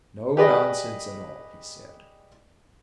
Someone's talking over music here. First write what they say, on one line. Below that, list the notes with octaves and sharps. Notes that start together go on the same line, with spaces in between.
"No nonsense at all," he said.
G4 G#4 B4 D5 D#5